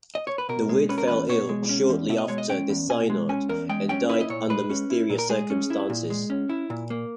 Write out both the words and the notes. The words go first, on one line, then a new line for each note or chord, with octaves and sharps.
Dawit fell ill shortly after this synod, and died under mysterious circumstances.
D#5
C#5
B4
B2 A#4
G#3
C#4 B4
A#4
E2 B4
B2 C#5
G#3
C#4
E2
B2 E5
D#5
G#3 C#5
D#5
C#4 G5
E2
B2 G#5
G#3
C#4 G#5
E2 A#4
G#3 G5
C#4 G5
E4 B4
D#5
A#2 C#5
G#3 B4
C#4
E4
A#2
A#4
G#3 G#4
C#4
E4
A#2
G#3
C#4
E4
A#2
A#3